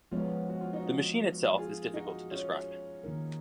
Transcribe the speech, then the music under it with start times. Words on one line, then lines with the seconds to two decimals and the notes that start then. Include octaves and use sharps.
The machine itself is difficult to describe.
0.11 F3 G#3 B3 C#4 F4
0.49 F#4
0.61 F4
0.73 D#4 F#4
1.58 F4 G#4
1.94 D#4 F#4
2.31 C#4 F4
3.04 D#3 A#3 D#4 A#4